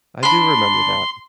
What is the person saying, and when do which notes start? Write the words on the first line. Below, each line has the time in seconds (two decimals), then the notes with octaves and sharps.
I do remember that.
0.23 D4 B5 C6